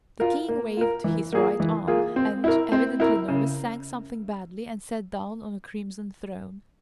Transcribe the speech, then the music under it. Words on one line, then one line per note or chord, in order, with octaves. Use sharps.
The king waved his right arm and, evidently nervous, sang something badly and sat down on a crimson throne.
F4 A#4
A#3
F4 A#4
E3
A#3 F4 G#4
E3
A#3 F4 G#4
C4
E4 A#4
C4
E4 A#4
C#3